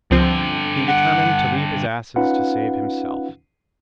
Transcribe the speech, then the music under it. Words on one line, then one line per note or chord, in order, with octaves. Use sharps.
He determined to leave his asses to save himself.
C#2 G2 D3 F3 C4
F#5
C#4 D#4 F4 B4 F5 F#5